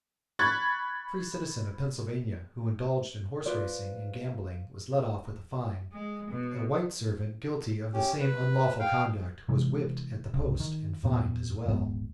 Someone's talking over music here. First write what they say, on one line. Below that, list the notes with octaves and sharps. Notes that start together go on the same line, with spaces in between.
A free citizen of Pennsylvania who indulged in horse racing and gambling was let off with a fine; a white servant guilty of the same unlawful conduct was whipped at the post and fined as well.
B5 C#6 F#6 G#6 A6
F4 B4 C5 D5
G#3
B2
C#4 G4
B4
F5 G5
C3 E3 G#3
C2 C#3
D#3
E2 A#2 B3
D#1 G#1 G#3 B3